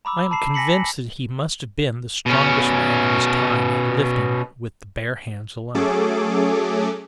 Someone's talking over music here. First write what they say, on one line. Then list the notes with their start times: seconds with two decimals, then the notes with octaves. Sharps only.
I am convinced that he must have been the strongest man of his time at lifting with the bare hands alone.
0.05 A#5 B5 D6 E6
0.31 A5 B5 C7 E7
0.54 G#5 A#6 B6 C#7 F#7
2.26 B2 C#4
5.75 F#3 A3 C#4 G#4 A4 D6